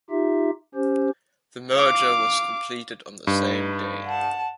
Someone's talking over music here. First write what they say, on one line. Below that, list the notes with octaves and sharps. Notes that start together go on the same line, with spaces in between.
The merger was completed on that same day.
D#4 F4 G4 E5
C#4 G4 C5
F5 D6
G2 D#4 B4
F#5 A5